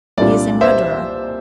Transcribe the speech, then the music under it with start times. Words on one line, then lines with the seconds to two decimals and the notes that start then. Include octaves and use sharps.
He is a murderer.
0.18 C2 A#2 G3 D4 F4 D5
0.61 C5 E5